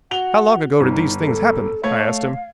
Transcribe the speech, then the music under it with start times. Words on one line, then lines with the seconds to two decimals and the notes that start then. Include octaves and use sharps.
"How long ago did these things happen?" I asked him.
0.11 F#4 F#5 F7 G7
0.80 G1 D#4
1.20 A4
1.83 A3 C#5 F5 G#6